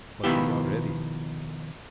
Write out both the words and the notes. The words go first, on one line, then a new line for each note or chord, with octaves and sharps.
But we are ready.
B2 D#3 F3 B3 E4 G4